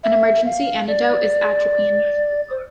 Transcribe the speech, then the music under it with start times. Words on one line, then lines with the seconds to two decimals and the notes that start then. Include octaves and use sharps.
An emergency antidote is atropine.
0.04 E5
0.46 F5
0.88 D5
2.51 C5